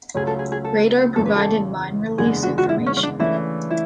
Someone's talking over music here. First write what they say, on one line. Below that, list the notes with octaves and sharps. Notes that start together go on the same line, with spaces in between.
Radar provided mine release information.
C#2 C#3 F#3 A3 C#4 G#4
A4
G#4
G#4
A4
F#1 E2 C#3 E3 A4
B4
A4
F#1 E2 D3 G#3 B3 G#4
F#4
F#4
E4
C#4
C#4
D4
C#3 E3 A3 D4 E4 A4
E4